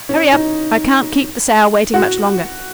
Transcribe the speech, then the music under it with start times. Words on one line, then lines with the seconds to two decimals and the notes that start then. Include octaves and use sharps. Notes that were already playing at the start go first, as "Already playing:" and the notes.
Hurry up, I can't keep the sow waiting much longer.
0.09 C#4
0.32 D#4
1.94 F#4